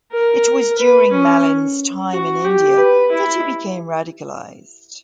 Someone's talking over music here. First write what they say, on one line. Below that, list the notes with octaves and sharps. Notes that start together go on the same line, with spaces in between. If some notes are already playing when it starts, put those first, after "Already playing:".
It was during Mallin's time in India that he became radicalised.
A#4
B4
C#4
F#4
G4
B4
E4